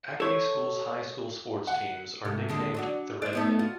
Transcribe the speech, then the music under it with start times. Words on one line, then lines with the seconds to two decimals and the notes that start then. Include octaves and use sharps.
Acme School's high school sports teams are nicknamed the Redmen.
0.20 A4 C#5
1.67 F#5
2.25 G#2 C3 A3
2.49 D#2 D3 G#3
2.74 F#3 D4 F#4
3.22 C5 D5
3.33 A3 B3 D#4
3.59 F4 F#4